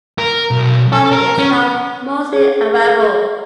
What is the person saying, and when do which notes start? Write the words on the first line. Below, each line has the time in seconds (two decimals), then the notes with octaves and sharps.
Farming is now mostly arable.
0.18 A#4
0.51 B1
0.92 A4
1.12 A#4
1.39 C#4
2.33 G#4